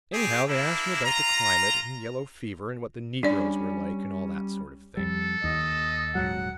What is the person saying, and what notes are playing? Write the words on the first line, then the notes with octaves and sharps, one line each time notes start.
Anyhow, they asked him about the climate, and yellow fever and what the negroes were like and all that sort of thing.
C4 G4 G#4
A#3 D4 E4
F4 A#5
G3 C#4 D4 D5
F2 G3 A4
D#2 D#5
D#1 G#2 F#3 F#5